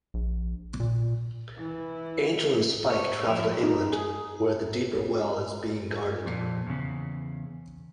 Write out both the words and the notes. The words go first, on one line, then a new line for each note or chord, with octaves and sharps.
Angel and Spike travel to England where the Deeper Well is being guarded.
A#1
A#2
E3 E4
C5 C#5
F3 D#4 A#4 E5
D#4
G#4
F2 A#2
E2 C#3